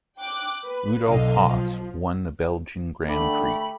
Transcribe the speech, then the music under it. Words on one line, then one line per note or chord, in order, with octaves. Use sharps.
Rudolf Hasse won the Belgian Grand Prix.
G5 D6 F#6
B4
B1 D3 D#5 F5
F3
D3 A3 G4 C#5 B5